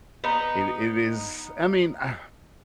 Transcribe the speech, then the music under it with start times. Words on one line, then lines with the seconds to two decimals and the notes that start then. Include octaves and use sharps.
It it is I mean, um,
0.24 B3 D#4